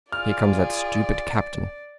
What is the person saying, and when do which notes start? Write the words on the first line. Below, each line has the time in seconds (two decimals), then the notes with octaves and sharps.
"Here comes that stupid captain."
0.12 F4 G#4 D5 F6